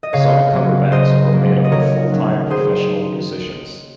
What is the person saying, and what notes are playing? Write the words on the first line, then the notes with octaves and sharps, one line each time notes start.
Some cover bands are made up of full-time professional musicians.
D#5
C#3 C#5 F5
F#3 A#3 C#4
C#3 C5 D#5
F#3 A#3 C#4
D#5
D#3 A#4 C#5
F#3 C#4
D#3 G#4 C5